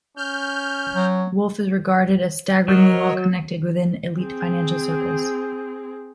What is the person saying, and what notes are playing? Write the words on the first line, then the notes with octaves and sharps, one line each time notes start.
Wolf is regarded as "staggeringly well connected" within elite financial circles.
C#4 F6 G6
F#3
F#3 A#4 C#5 D#5
C4 G#4